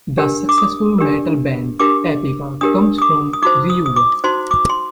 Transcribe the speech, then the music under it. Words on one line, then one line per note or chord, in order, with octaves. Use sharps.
The successful metal band Epica comes from Reuver.
D4 G4 A#4
D6
D#6
D4 G4 A#4
D4 G4 A#4 D6
D4 G4 A#4 D#6
D#6
D6
D#6
D#4 F#4 C5 D6
D#6
D#6
D6
D#4 F#4 C5 C6
D6
C6